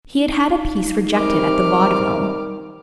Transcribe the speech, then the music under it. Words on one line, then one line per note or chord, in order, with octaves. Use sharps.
He had had a piece rejected at the Vaudeville.
D#4
C3 D#3 G3 D6 F6